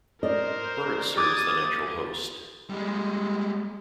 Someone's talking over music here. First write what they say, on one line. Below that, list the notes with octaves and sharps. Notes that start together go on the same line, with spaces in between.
Birds serve as the natural host.
A#4 C5 D5 D#5
D6 D#6 G#6 A6
G3 G#3